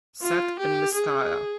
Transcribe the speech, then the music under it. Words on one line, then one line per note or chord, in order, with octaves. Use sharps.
Set in Mystara.
F4
G4
G#4